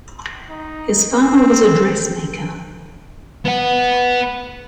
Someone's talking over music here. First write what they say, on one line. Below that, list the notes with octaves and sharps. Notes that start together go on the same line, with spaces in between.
His father was a dressmaker.
D#4
C4
B3 F#5